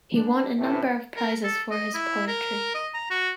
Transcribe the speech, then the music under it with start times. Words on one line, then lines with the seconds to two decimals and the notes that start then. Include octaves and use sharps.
He won a number of prizes for his poetry.
0.14 D4
0.58 A2 C3 E3 A3
1.16 A#4
1.44 A4
1.71 D#5
1.94 E4
2.27 A#4
2.75 D#5
2.94 A#5
3.10 F#4